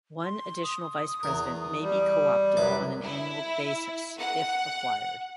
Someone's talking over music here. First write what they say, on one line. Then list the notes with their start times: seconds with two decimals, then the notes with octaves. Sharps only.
One additional Vice-President may be co-opted on an annual basis if required.
0.24 C6
0.64 D#6
1.23 E2 A#4
1.82 G3
2.57 C2 F#2 B4 D6
3.02 E4
4.19 F#5